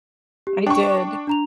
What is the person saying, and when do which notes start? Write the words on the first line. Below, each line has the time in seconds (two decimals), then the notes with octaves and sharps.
I did.
0.47 G4
0.66 D4 G5 C#6
1.27 D4 A#5 F7